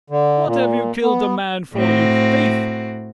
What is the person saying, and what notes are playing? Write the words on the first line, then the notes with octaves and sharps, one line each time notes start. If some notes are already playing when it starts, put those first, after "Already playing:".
"What have you killed a man for, you thief?"
D3
A#2
B3
A2 C4 F#4